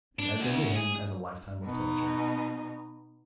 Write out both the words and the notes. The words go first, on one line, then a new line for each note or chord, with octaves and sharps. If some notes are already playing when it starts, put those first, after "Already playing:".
It had been to him as a lifetime of torture.
D4
D2
G#4
B2 D#4